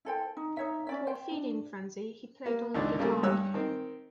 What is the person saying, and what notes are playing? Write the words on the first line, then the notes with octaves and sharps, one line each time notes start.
For "Feeding Frenzy", he played only guitar.
E4 A4 C5 G5
D#4
D#4 C#5 E5
C#4 D5 E5
C5 G5
D4
A#3
G#1 C#2 E3 D4
C#3 G3 A3 A#3 G#4
G2 G3 C#5 E6 F#6
D#3 C4